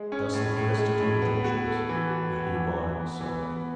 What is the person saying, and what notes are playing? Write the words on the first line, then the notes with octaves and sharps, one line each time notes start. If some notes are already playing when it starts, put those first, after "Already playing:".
Thus the first two objections are hereby solved.
Already playing: G#3
C#4
A2
A2
G#3
A2
B3
F#4
A4
E3
F#4
F#4
E3
E3
B3
E3
B3